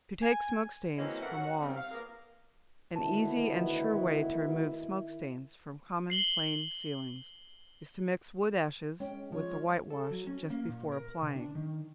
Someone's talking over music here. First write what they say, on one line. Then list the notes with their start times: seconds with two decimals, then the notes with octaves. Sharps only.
To Take Smoke Stains from Walls.--An easy and sure way to remove smoke stains from common plain ceilings is to mix wood ashes with the whitewash just before applying.
0.22 G#5
0.97 E3 F#3 G#3 A#3 C4 C#4
1.21 A2 E3 E4 A#4 F#5
1.34 D#2 C#4 F#4 F#5
1.59 C3 D#3 G3 C4
1.76 F5
1.91 A#3 B3 G#4 A#4
2.96 D2 B2 D#3 B3 E4 A5
6.10 C7 F#7 G7
9.00 G#3 C#4 G5
9.32 F3 F4 C#5
9.90 A4
10.10 F#3
10.27 C#4
10.50 A#3
10.69 A#2
10.92 A#4
11.22 C3
11.36 D4
11.55 D#3